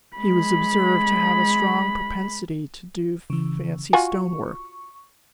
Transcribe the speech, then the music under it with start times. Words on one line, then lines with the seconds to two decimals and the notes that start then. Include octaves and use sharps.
He was observed to have a strong propensity to do fancy stone-work.
0.16 G#3 B5
3.30 C#3 E3
3.93 F4 F#4 G#5 C#6